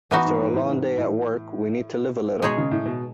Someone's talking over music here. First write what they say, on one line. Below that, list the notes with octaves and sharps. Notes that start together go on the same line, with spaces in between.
After a long day at work, we need to live a little.
E3 B3 D#4 F#4
G#2
G#2
A2
G#2
A2
B2 G#3 D#4 G#4 C#5
C#3
A2
B2